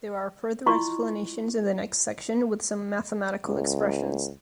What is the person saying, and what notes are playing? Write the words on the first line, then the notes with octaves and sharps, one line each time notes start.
There are further explanations in the next section with some mathematical expressions.
E4 F4 D#5 C6 C#6
C#2